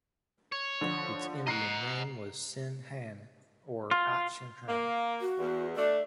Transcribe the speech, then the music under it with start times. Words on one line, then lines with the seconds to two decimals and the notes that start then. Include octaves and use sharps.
Its Indian name was Sinne-Hanne or Achsin-Hanne.
0.52 C#5
0.81 D3 F3
1.47 D#5 F#5 A#5 C7
3.91 F4
4.68 A#3
5.21 F#4
5.38 E2
5.76 A3 D4 D5